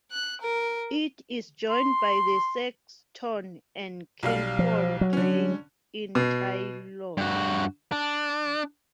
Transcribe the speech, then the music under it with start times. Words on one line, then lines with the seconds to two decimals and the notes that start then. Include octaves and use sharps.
It is joined by the Sexton and Kilfoil Drain in Taylor.
0.12 F#6
0.41 A#4
1.70 C6
4.23 B1 G3 F5
4.59 F3
5.01 F#3
5.13 D3 C#4
6.15 B2
7.17 G2 F#4
7.92 D4